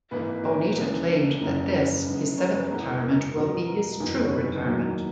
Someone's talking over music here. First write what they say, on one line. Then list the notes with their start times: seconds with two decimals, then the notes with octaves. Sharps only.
Onita claimed that this, his seventh retirement, will be his "true" retirement.
0.11 G#1 G#2 E3 A#3 B4
0.44 A#4 C#5
0.59 B4
0.76 E1 D#2 C#3 E3 B4
1.41 F#1 E2 C#3 A#4
1.73 B4
2.05 F#2 C#3 G#3 B3
2.38 A#4 C#5
2.54 B4
2.70 E1 E2 B2 G#3 B3 A#4
3.03 A#4
3.35 C#2 B2 F#3 B3 A#4
3.68 A#4
4.00 F#1 E2 D#3
4.23 C#5
4.32 B4
4.65 E2 D#3 F#3 A#3